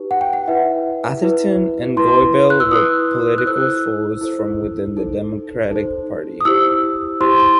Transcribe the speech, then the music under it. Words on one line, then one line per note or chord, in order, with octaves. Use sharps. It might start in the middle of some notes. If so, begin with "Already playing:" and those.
Atherton and Goebel were political foes from within the democratic party.
Already playing: D#4 G4 B4
F#5
G5
F#5
E4 B4 E5
E4 B4
E4 B4 C6
F#6
E6
E4 B4 D#6
F#6
E4 A4 C5 E6
E4 A4 C5
D#4 A4 C5
D#4 A4 C5
D#6
E4 G4 C5 E6
E4 G4 C5 C6
C6